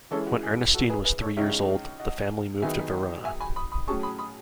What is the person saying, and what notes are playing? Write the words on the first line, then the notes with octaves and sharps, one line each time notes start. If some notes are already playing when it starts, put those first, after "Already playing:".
When Ernestine was three years old, the family moved to Verona.
E3 G#3 C#4 E4 A4 C#5
F#4
G#4
F#4 A4
G#4 B4
G#4 B4
A4 C#5
C#2 C#3 G#3 D#4 C#5 E5
D#5 F#5
D#3 F#3 B3 D#4 G#4 E5 G#5
E5 G#5
G#5 B5
B5 D#6
B5 D#6
A2 F#3 C#4 G#4 A5 C#6
B5 D#6
B5 D#6